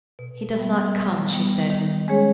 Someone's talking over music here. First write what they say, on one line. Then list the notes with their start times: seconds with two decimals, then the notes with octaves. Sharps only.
"He does not come," she said.
0.19 B2
0.57 G3 B3
0.94 B2
1.33 G3 B3
1.70 D#3
2.08 G#3 C#4 G#4 C#5